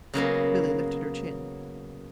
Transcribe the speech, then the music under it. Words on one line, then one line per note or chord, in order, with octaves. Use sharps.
Billy lifted her chin.
C#3 F#3 A#3 B3